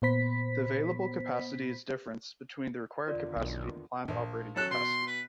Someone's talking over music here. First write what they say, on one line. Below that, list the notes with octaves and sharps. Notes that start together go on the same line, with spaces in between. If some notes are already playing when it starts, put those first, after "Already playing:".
The available capacity is difference between the required capacity and planned operating capacity.
A#2 B3 C5 B5 B6
E2 D3 D#3 F4 A#4 D5
B1
A#1
F#3 C#4 A4 F#6
B2 C6
B4